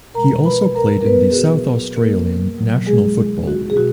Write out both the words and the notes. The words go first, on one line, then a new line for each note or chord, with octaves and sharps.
He also played in the South Australian National Football League.
B2 G#3 A#4 A#5
B4 B5
A#4 A#5
A#4
B3 B4
G#4
B2 F#3 F#4
A#3 A#4
B2 F#3
G#3 G#4
F#4
G#4
B2 F#4